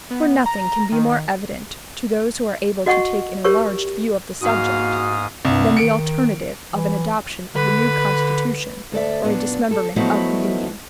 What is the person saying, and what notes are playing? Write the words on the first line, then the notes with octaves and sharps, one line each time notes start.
For nothing can be more evident, to those who are able to take an enlarged view of the subject, than the alternative of an adoption of the new Constitution or a dismemberment of the Union.
B3
A#5
D#3
F#4 D#5 F#5 G5 C#6
G4 A#4 C#5 C#6
G#2 A#3 F#4 F5 D#6
C2 G2
D#3 C#7 D7
E3
D3 B4
D2 A4 D5 E5
F#2 A#2 B3 D4
A4
F3 F#3 A3 B3 D#4 E4